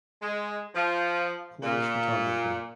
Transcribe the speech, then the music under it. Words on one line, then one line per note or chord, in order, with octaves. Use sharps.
Polish photography.
G#3
F3
A#2